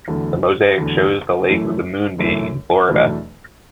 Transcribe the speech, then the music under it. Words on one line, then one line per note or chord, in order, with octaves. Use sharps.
The mosaic shows the Lake of the Moon being in Florida.
E2 D3 F#3 A3
E2 D3 F#3 A3
F#2 E3 A3 E4
F#2 E3 A3 E4
E2 B2 F#3 A3 D4